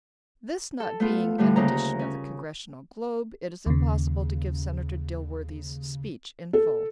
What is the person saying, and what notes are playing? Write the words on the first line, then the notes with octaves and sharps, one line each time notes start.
This not being an edition of the Congressional Globe it is impossible to give Senator Dilworthy's speech in full.
A4
A3 B3 F4
A2 D3 G3 A3
D2 C#3 A#3 A#5
C#4
D#2 C#3
A4